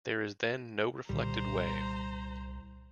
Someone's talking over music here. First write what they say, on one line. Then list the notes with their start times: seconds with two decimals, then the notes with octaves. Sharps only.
There is then no reflected wave.
1.09 C2 A#2 D3 D#3 G3 C5 A#5